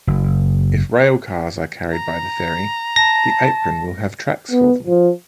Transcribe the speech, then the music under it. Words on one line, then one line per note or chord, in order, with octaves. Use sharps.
If railcars are carried by the ferry the apron will have tracks for them.
F#1
A#5
A5 A#6
B3
F3